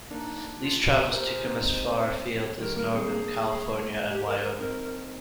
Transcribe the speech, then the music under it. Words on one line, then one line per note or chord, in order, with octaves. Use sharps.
These travels took him as far afield as Northern California and Wyoming.
A#3 D4 D#4
F4
G4
G4 A#4 C5
F4 G#4
C4 D#4
G#3 C4
D#3 G3 A#4
G3 A#3 A#4
G#3 C4 G#4
A#3 D4
G4
A#4
A#4
C4 D#4 A#4